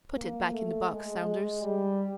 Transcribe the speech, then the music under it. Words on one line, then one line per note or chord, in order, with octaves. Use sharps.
Put it back in the box, Saunders.
A#3
A3
G#3
G#3
G3